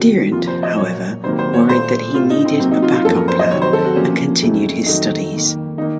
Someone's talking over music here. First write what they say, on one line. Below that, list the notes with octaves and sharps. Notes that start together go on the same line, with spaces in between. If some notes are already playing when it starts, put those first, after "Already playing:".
Dirnt, however, worried that he needed a backup plan and continued his studies.
Already playing: C3 D#3 A3 F#4
F2 C3 F3 A#3 F4
C5
D#5
A#2 F#3 A#3 C#5
C3 D#3 F#3 A#3 C5
C5
C#5
A#2 A3 C5
A2 A3 F4
D#4
C4
C3 F#3 A#3 C4
D#4
F4
F4
F#2 F3 A#3 A4
A#4
C5
D#5
C3 D#3 F#3 C#5
C5
A4
F#4
C3 F3 A#3 C#4
F2 C#3 F#3 A3
F2 D#3 F#3 A3 D#4
F2 D#3 A#3
D#3 A#3 D#4